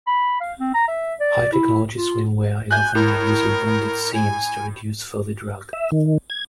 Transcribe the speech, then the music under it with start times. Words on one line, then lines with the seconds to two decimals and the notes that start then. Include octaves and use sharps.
High-technology swimwear is often made using bonded seams, to reduce further drag.
0.07 B5
0.40 F5
0.59 C4
0.74 A#5
0.88 E5
1.20 D5
1.52 E4
1.96 F4
2.71 G#5 F#6 G6
2.95 A2 A#4
4.14 G#5
5.73 E5
5.92 D#3
6.30 G#6